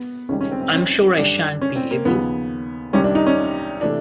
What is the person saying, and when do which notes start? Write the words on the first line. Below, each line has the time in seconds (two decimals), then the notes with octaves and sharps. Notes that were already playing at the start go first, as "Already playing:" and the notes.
I’m sure I shan’t be able!
Already playing: B3
0.29 C#2 C3 D#3 G3 C#4
0.41 C#4
0.51 C4
0.62 C4
0.74 C#4
1.18 F#2 D3 G3 D4
1.61 C#4
1.76 C4
1.91 A#3
2.05 D#2 C#3 F3 B3
2.93 C2 C3 D#3 G3 C#4
3.04 D4
3.15 D#4
3.26 C#4
3.81 C3 E3 A3 D4